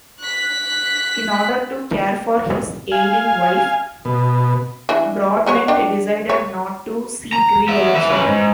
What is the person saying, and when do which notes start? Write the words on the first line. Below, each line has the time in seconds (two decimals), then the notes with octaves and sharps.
In order to care for his ailing wife, Broadbent decided not to seek re-election.
0.20 F#6 B6
2.92 F5 G#5
4.05 B2
4.89 E3 D4
5.46 F#3 B3 C#5
5.68 D4 G5
6.30 C#5
7.33 A#5
7.68 B3 E5
7.95 B4 E5
8.10 C#4 B4
8.27 G#2